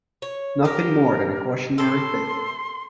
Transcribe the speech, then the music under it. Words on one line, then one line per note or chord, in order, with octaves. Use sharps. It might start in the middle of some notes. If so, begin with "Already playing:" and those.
Nothing more than a cautionary fable.
C#5
G4 A#4
A2 D#3 A4 C6